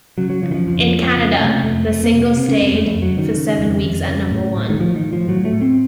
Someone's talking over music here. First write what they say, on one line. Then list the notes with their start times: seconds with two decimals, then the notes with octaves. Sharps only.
In Canada, the single stayed for seven weeks at number one.
0.18 C#3 F#3
0.30 F#3
0.42 C#3 F3
0.51 D#3
0.54 F3
0.67 F2 F3
0.79 F3
0.91 F2
1.16 C#3
1.40 C3 A3
1.63 F2 A3
1.87 F2 A3
2.04 A#3
2.13 C3
2.21 A#3
2.37 C#3 C4
2.49 C#4
2.61 F2 C4
2.73 A3
2.85 F2 A3
3.02 F#3
3.10 C#3
3.18 D#3
3.34 C#3
3.59 F2
3.82 F2
4.07 C#3
4.31 A2
4.56 A2
4.70 D#3
4.80 A2 F3
4.96 D#3
5.04 A2
5.13 F3
5.28 A2 F#3
5.45 A3
5.53 A2
5.61 C4